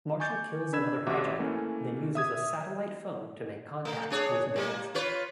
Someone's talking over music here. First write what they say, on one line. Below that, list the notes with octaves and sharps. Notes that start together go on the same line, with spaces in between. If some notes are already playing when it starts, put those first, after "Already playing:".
Marshall kills another hijacker, then uses a satellite phone to make contact with Bennett.
G#5 C#6 D6 G6 A6
D4 B4 B5 E6 G#6 E7
A1 F#4 G4 E5 F#5 D6
E3 A3 A#3 C#4
E5 D#6 G#6
A3
D4 G#4 C#5
G3 A#3
F4 B4 C#5